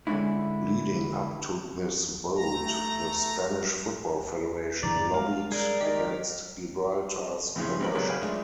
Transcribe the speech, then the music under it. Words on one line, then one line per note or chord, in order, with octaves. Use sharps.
Leading up to this vote, the Spanish football federation lobbied against Gibraltar's membership.
D3 G#3 A#3 C#4 D4 E4
A3 A#5 A#6
E2 G2 D3 D5 A#5
G#3 F5
G#4 A#4 D5
D#3 G4 A#4
F2 A2 C#3 E3 F3
G#1 C3 B3 A#4 B5
C#3 F#3 G3 A#4 C#5
B4 C#5 F5 G5 G#5
G#3 A3 D4 F4